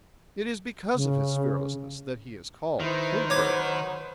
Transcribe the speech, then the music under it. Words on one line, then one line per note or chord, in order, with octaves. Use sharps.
It is because of his fearlessness that he is called Kingbird.
C#3
D#3 E4 B4 C5
F#3 C#5 D6 G#6